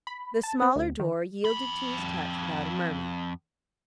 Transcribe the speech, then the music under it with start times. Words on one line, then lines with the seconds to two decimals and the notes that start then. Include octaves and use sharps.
The smaller door yielded to his touch without a murmur.
0.07 B5
0.43 A5
0.62 C4
0.76 D2
0.99 D#3
1.45 F2 B5